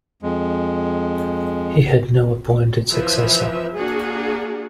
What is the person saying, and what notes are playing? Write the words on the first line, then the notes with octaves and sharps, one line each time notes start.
He had no appointed successor.
F2 G#3
E3 F3 B4 E5
A#3 D4 F#4 G#4